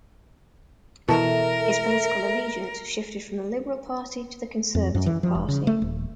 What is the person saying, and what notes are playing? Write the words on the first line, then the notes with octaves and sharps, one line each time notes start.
His political allegiance shifted from the Liberal Party to the Conservative Party.
B2 E3 E4 A4 A#4 E5 A5
F2
F#2
E3
F3
E1
C#3
A3
D#1